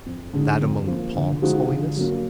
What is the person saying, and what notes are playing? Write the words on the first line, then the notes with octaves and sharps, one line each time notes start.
"That among the palms, Holiness?"
F2
D3 G#3 D#4
F2
F3 A#3
D3
F3 G#3 D#4 F#4
D3
F#3 A#3